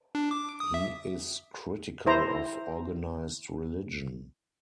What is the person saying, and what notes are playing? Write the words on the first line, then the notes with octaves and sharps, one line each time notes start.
He is critical of organized religion.
D4
D6
D#6
E5
E4 C5 A#5